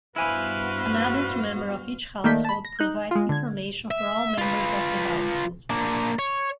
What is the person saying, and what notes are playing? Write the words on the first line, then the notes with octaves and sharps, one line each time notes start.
An adult member of each household provides information for all members of the household.
G2 B3 E4 F#4 B4 C5 F5 G#5
D#3 A3 A#3 D5 G6 B6
A5 B5
A#6
D#4 F#6 G6
G#3 F4
D3 G#6
E5
F4 B4
A#3 D4
C#5